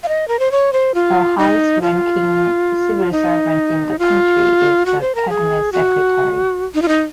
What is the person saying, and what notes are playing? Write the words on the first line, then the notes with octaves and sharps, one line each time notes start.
The highest ranking civil servant in the country is the Cabinet Secretary.
F5
D#5
A#4
C5
C#5
C5
F4
D#4
F4
D#4
F4
F#4
C5
A#4
G#4
F#4
D#4
F4
D#4